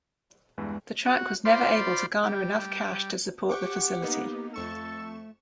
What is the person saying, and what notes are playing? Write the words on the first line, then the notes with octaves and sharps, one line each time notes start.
The track never was able to garner enough cash to support the facility.
E2 G2 E3 G#3
F#4
F4 C5 D5 B5 C6
G3
G4 F#5 G5 C#6 D6
A#3 B3 D#4
F2 A3 A4 C#6 E7